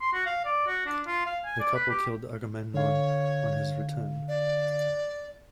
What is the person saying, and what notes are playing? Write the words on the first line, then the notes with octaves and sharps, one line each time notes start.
The couple killed Agamemnon on his return.
C6
F#4
F5
D5
F#4
D4
F4
F5
G#5
D5
B4
G4
D3 C#5 F5
D5